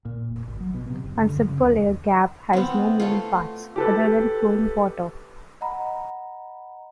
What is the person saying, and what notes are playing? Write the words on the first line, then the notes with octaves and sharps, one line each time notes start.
A simple air gap has no moving parts, other than flowing water.
A#2
F1
G#1
F#3
B2
C3
F#1
D3
F#2
C#3
D#2
B3 C4
A3 F4
G4 A4 B4
D#5 F#5 A#5 B5